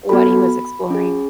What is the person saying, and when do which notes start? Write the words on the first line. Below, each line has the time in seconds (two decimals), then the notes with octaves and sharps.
what he was exploring
0.09 B3 F#4 A4 B5
0.90 C#4 G#4